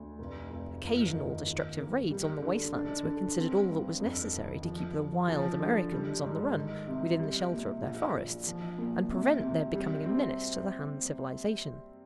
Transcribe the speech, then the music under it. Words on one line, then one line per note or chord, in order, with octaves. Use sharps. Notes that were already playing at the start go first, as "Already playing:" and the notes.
Occasional destructive raids on the waste lands were considered all that was necessary to keep the "wild" Americans on the run within the shelter of their forests, and prevent their becoming a menace to the Han civilization.
Already playing: D2
F1
F1
G1
D#3
D#3
A#3
G3
D3
D4
D3
C4
G2
F2
D#3
F3
F3
F3
D3
G3
G#2
D#3
C3
G3
A#2
A#1
A#1
F3
A#2
C3
C3
G3
C4